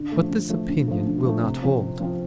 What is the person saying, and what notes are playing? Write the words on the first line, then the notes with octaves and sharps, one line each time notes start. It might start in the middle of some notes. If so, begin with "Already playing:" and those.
But this opinion will not hold.
Already playing: D3
A3
F3
D3
F3 A3
D3
F3 A3
D3
F3 A3
C3
F3 C4 F4
C3
F3 C4 F4